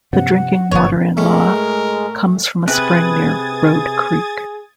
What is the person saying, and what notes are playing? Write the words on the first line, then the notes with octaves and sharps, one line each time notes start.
The drinking water in Loa comes from a spring near Road Creek.
G2 C3 F3 B3 C#4 F#5
G1 G#2 C3 A#3 B3 C#5
A2 G#3 A3 C#4 A#4
C3 G#4 B4 D#6 G#6 A6